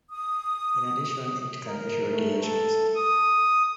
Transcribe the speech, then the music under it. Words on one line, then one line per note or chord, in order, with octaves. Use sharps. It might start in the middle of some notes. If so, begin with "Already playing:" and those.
In addition, it can issue regulations.
D#6
A#4
A3
A4
D#6